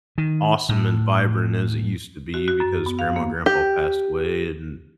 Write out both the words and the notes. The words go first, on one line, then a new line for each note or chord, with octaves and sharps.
awesome and vibrant as it used to be, because grandma and grandpa passed away and,
D#3
A2
F#4
F#4
F#2
B3
F5
A#3
G4